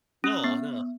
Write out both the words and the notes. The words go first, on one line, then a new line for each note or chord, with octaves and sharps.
No, no.
C#4
B3